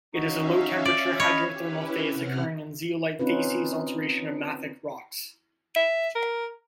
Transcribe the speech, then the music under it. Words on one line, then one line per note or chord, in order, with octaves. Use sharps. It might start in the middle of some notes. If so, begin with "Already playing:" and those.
It is a low-temperature hydrothermal phase occurring in zeolite facies alteration of mafic rocks.
C#4 D#4 F#4 E5 F5
D5
C#5 D#5 B5 F6
C#4 E4 G4 B4
C3 F#5 F6
C4 C#4 D#4 F4 B4
E5
A#4